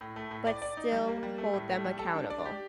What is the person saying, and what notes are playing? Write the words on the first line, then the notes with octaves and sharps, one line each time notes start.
but still hold them accountable.
A2
A3
A2
D5
D5
D#4
G3
A#3
G3
A3
A2
A3
G3
A4
D4
D5
G4